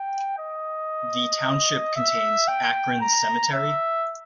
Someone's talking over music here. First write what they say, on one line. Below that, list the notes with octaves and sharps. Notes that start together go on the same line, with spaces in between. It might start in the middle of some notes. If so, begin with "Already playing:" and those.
The township contains Akron Cemetery.
Already playing: G5
D#5
E5
G5
A#5
E5